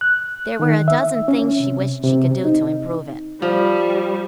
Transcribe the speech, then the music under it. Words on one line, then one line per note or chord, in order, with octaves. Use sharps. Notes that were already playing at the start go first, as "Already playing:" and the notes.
There were a dozen things she wished she could do to improve it.
F#6
D#3
E5
C#4
C3
C3
D#4
F3 G3